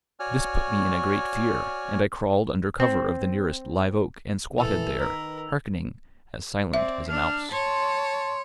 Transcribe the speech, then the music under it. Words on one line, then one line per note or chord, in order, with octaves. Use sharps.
This put me in a great fear, and I crawled under cover of the nearest live-oak and squatted there, hearkening, as silent as a mouse.
F#4 C#5 D5 G#5 F6
C4
A#2 E3 A4 E6 F7
D#3 A#4 B4
C4 D5 E5
D4 F6
C#5 A5 C6